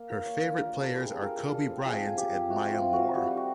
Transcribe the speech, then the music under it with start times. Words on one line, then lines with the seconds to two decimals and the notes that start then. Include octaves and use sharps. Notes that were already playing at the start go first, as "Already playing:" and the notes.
Her favorite players are Kobe Bryant and Maya Moore.
Already playing: A#3
0.10 F4 A#4
0.26 A#3 C#5
0.42 D4
0.57 F4 A#4
0.73 C4
0.79 A4
0.89 G3
1.00 G#4
1.06 F4
1.22 F4 A#4
1.38 F4
1.54 G3 A4
1.70 C4
1.86 F3 G#4
2.02 F3
2.18 F3 G4
2.34 C4
2.50 A3 F#4
2.66 F3 F4
2.82 C4
2.93 F#4
2.99 F3
3.14 G3 F#4
3.26 G3 G4
3.37 F#4